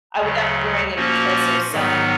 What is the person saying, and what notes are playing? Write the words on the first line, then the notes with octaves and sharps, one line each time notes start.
I would not be wearing it because of some
D2 C#3 F#3
A#2 F3 A#3 C#4 F#4
G#2 D#3 F#3 B3